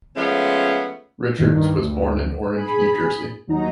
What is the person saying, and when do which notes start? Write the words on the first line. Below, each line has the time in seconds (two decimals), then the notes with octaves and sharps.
Richards was born in Orange, New Jersey.
0.16 F3 G#3 A3 B3 C#4
1.38 C2 G2 D#3
1.78 D2
2.56 G#4 B5
3.47 D#2 F#3 D#4 A#5